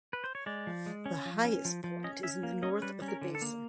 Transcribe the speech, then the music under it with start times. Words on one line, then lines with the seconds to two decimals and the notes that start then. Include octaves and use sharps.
The highest point is in the north of the basin.
0.13 B4
0.24 C5
0.35 C#5
0.46 G#3 D5
0.67 F3
0.86 G#3
1.06 C#4
1.25 F3
1.44 C#4
1.65 F3
1.84 F3
2.04 C#4 D#5
2.23 C#4 E5
2.43 A#3
2.63 C#4 D#5
2.82 G3 B4
3.02 C#4
3.08 A#4
3.22 D3
3.35 A4
3.42 A#3